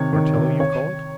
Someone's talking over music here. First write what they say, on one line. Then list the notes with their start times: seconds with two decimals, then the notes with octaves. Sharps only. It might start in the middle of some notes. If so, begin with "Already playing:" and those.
Martello you call it?
Already playing: C3 D#3 C#5
0.13 D#3
0.37 C3
0.60 C#5